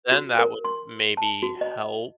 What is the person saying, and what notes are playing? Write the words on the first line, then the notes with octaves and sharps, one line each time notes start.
then that would maybe help
F#4
A#4
C6
A5
F#4
D#5